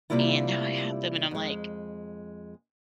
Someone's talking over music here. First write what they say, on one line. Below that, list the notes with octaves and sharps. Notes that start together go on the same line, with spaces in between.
and now I have them, and I'm like,
C3 G3 G#3 A#3 E4 F4
F2 G#3